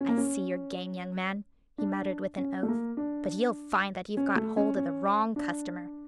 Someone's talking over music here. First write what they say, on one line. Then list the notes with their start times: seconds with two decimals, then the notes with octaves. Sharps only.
I see your game, young man," he muttered with an oath, "but you'll find that you've got hold of the wrong customer.
0.01 C#4
0.09 A#3
0.17 C#4
1.78 D4
2.38 C#4
2.63 A3
2.68 A#3
2.97 D4
4.17 C#4
4.36 A3
4.57 C#4
4.76 C#4
5.36 D4